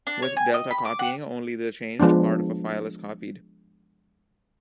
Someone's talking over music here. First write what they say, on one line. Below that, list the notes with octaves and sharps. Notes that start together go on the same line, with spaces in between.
With delta copying, only the changed part of a file is copied.
D4
C#5
G#5
D#5
B5
D6
F#5
F3 G#3 B3 D4